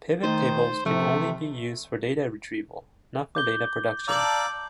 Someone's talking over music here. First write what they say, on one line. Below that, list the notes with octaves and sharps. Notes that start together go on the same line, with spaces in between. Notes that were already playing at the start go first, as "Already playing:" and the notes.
Pivot tables can only be used for data retrieval, not for data production.
D#3 A3 D#4 C5
C3 F3 A3
D6 G6 G7
D5 F5 A5 A#5 D6 E6 G6 F#7